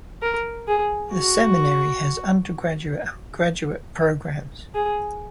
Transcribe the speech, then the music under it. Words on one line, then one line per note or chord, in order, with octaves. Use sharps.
The seminary has undergraduate and graduate programs.
A#4
G#4
F#4
G#4